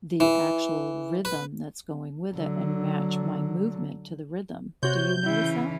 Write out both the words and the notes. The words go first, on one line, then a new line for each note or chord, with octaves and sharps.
the actual rhythm that's going with it and match my movement to the rhythm, do you notice that?
E3
B4
D3 F#3
C3 F#4 C#5 G6
C#3 E3 E4